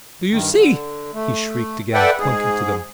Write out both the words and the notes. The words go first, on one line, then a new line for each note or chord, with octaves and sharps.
"Do you see?" he shrieked again, pointing to them.
G2 D#3
D3
A3
A4 B4 D5 E5 F#5 G5
G#2 G#4